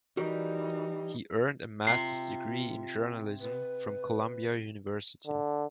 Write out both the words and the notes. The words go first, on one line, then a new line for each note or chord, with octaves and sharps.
He earned a Master's degree in Journalism from Columbia University.
E3 G3 D#4 F#4 G4 A#4
C3 F4 C7
B4
D3